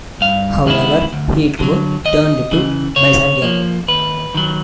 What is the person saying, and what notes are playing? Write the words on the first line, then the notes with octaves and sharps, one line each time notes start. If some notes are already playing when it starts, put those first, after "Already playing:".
However, he too turned to Byzantium.
G2 F5
D#3 G#3 B3 E4
D2
D3 F#3
D#2 D#5
C#3 E3
C#3 C#5
F3 A#3
D#2 B4
D#3 F#3